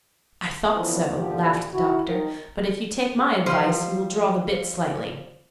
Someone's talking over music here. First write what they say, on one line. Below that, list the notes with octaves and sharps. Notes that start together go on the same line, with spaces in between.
"I thought so," laughed the doctor; "but if you take my advice, you will draw the bit slightly."
D3 E3 F3 B3 C4
D2 A#2 D3 F3 G4
E4 F#4
D#3 D#4 A#4
F3 G3 C5